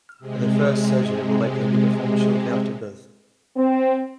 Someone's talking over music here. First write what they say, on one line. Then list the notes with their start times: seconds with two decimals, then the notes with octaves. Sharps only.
The first surgery will likely be performed shortly after birth.
0.19 C3 G#3
3.56 C4